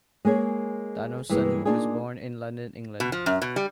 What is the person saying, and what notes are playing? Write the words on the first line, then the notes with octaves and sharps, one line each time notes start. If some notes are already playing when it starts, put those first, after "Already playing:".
Donaldson was born in London, England.
G#3 A#3 G#4 C#5
G2 E3 G#3 A#3
A#3 D4 D#4 F4 G#4
B2
F3
F#2
B2
G3